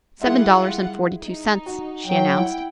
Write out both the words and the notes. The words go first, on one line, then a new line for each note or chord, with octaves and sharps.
"Seven dollars and forty-two cents," she announced.
G3 E4 F4 G#4 E5 F#5
D#4
F#4
F#3 G5
E4 F#5